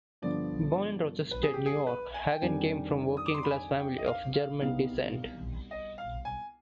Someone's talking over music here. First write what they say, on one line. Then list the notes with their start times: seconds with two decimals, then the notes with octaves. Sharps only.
Born in Rochester, New York, Hagen came from a working-class family of German descent.
0.22 G2 D3 F3 B3 D4 D5
1.31 B4
1.43 G#4
1.54 G4
1.66 G#4
1.87 B4
2.14 G#5
2.31 G5
2.42 F2 D#3 G3 D4 G4 G#5
3.17 D#6
3.26 D6
3.34 C6
3.43 B5
3.51 G#5
3.79 G5
3.98 D#5
4.06 F5
4.33 F5
4.61 C2 B2 G3 B3 D#4 F5
5.71 D#5
5.98 F5
6.25 G#5